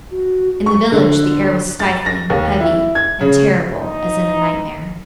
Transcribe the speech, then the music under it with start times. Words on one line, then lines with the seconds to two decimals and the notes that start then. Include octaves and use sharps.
In the village the air was stifling, heavy and terrible as in a nightmare.
0.11 F#4
0.66 C#6
0.92 D3
1.80 A6
2.06 A#6
2.30 D#2
2.60 E4
2.95 G#6
3.21 C#3
3.81 D#4